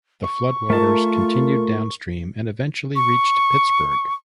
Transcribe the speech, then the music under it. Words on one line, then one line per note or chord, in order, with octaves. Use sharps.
The floodwaters continued downstream and eventually reached Pittsburgh.
C#6
A3 F4 A#4 A5
C#6